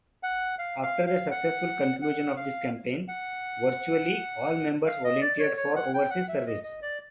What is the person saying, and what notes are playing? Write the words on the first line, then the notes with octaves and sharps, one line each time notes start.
After the successful conclusion of this campaign, virtually all members volunteered for overseas service.
F#5
F5
F5
F5
F#5
F#5
F5
F#5
F5
D#5
D5
C#5
C#5
F#5
G5
F#5
E5
D#5
D#5
D5